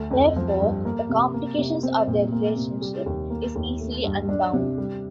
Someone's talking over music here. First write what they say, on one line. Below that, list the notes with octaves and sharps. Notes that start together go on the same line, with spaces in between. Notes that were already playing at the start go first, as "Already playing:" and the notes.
Therefore, the complications of their relationship is easily unbound.
Already playing: D2 A3
F2
F3
G2
A#3
C3
A#3
C3
C4
A#2
A#3
C3
G3
D#2
A#3
D#2
A3
G2
D4
C3
G3